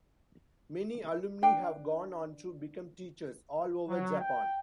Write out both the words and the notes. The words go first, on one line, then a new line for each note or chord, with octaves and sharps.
Many alumni have gone on to become teachers all over Japan.
D4 G5
F#3
G5